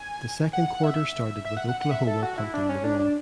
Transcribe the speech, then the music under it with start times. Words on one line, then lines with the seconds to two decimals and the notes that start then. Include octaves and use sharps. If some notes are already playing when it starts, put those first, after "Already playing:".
The second quarter started with Oklahoma punting the ball.
Already playing: G#5
0.53 F#5
0.68 F#5
0.83 E5
1.45 E5
1.57 F#5
1.69 F#5
1.80 F#5
1.91 E5
2.07 A4
2.23 F#4
2.38 E4
2.54 D4
2.69 C#4
2.84 D4
2.99 D4